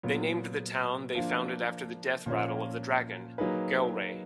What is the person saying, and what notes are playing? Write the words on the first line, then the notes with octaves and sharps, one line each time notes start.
They named the town they founded after the death rattle of the dragon: Gelre!
A#2 F#3 B3
F3 A#3 D4 F4
A#2 F3 A#3 C#4
F#3 A#3 D#4 G#4 B4